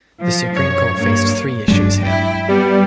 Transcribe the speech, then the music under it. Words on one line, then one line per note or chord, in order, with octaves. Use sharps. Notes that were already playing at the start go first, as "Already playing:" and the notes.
The Supreme Court faced three issues here.
F3
F#2 C#5
G2 A#3
G2 F#3 G#3 D4
E4 G5
G3 B3